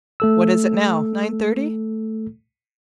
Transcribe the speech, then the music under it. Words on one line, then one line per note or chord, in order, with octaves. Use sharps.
What is it now--nine thirty?
A3 A4 E6